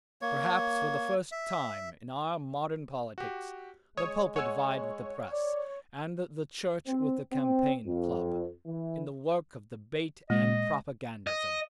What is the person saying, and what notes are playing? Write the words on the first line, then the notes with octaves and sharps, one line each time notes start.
Perhaps for the first time in our modern politics, the pulpit vied with the press, and the Church with the campaign club, in the work of debate and propagandism.
A#3 C#5
E5
F#4 G4
G#3 C#5 D#6
C#5 F#5 G#5 E6
D5
C4
C4
F2
E3
A#2 G#3 D#5
D#5